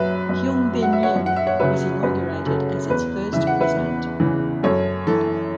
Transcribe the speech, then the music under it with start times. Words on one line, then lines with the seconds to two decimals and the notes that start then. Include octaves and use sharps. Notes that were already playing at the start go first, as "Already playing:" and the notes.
Hyung Bin Yim was inaugurated as its first president.
Already playing: F#2 F#3 B4 E5
0.29 F#2
0.73 F#3
0.82 F#5
0.93 E5
1.03 C#5 F#5
1.16 F#2
1.26 F#5
1.36 E5
1.47 C#5 F#5
1.60 C#3 F#3 B4 E5
2.03 F#2 B4
2.46 C#3 F#3 A4
2.90 E2 B4
3.33 C#3 E3 E5
3.47 F#5
3.60 B4 E5
3.77 E2
4.20 C#3 E3
4.63 F#2 A4 C#5
5.07 E3 A4